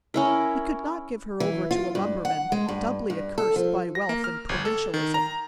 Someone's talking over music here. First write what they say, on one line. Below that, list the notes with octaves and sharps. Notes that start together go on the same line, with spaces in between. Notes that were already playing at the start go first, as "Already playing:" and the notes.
We could not give her over to a lumberman, doubly accursed by wealth and provincialism.
C#4 E4 A#4
E3
F4
G2
F#5
G#3
G2
G2
A4
F3
A#6
A#3
F6
G1
A4
D#3
A#5